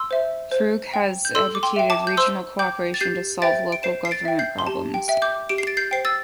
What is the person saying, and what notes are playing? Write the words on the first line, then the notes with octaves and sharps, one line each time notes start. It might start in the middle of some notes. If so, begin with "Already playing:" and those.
Frug has advocated regional cooperation to solve local government problems.
Already playing: C6 E6
C5 E5
C5
G5
G6
A4 C6 E6
D6
G5 C6
E5 G5
A5 D6
G6
C5 C6 E6
G5 D6 G6
A6
G4 G6 C7
C5 E5 G5 A6 D7
D7
C5 C7 E7
C7
A6 D7
E5 G5
G6 C7
C6
G4 A5
G5
E5 G5
D6 G6
G4 D7
C7
A6 D7
G6 C7
C5 G5 C7
E6 A6